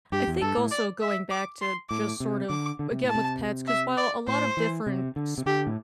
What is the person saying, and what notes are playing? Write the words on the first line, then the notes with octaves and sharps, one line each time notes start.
I think also going back to just sort of again with pets, 'cause while a lot of different s
G2 G4
E2
G2 A4
A2
D5
E5
D6
C6
A2 D6
C3
D3 D6
D3
C3
A2
A5
C3
E5
D5
A2 C5
E3
C3
D3
C3
D3 G4
A2